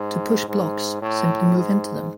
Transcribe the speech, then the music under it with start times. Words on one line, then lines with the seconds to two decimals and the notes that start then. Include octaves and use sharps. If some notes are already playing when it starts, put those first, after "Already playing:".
To push blocks, simply move into them.
Already playing: G#2
0.48 G#2
1.02 A2
1.57 G#2